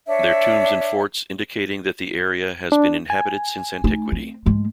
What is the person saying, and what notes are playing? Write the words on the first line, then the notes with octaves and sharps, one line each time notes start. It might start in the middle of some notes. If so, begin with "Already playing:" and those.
There tombs and forts indicating that the area has been inhabited since antiquity.
D4 C#5 E5
D4
G#5
A3 D#4
C4
G#2 G#3